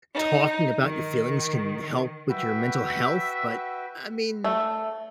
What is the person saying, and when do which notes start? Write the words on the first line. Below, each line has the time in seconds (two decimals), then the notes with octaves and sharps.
talking about your feelings can help with your mental health, but, I mean,
0.13 D#4
0.82 D#3
2.29 F#4 B4 E5 G5
4.44 A3